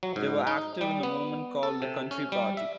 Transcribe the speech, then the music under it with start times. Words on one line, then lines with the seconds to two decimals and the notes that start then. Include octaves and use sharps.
They were active in the movement called the Country Party.
0.03 F#3
0.16 G#2
0.47 D#4
0.81 G3
1.03 B3
1.63 A4
1.82 C3
2.11 C#4
2.32 G3
2.57 E5